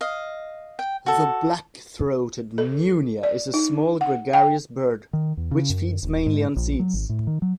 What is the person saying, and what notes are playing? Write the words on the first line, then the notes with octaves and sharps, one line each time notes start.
The black-throated munia is a small gregarious bird which feeds mainly on seeds.
D#5 F5
G5
F#4 A4
A4
D5
D#4
F#5
G5
D#3
E2
C#3
F#2
D#1
G#2
A#1
F#3
G#1
A2
D#3
F#3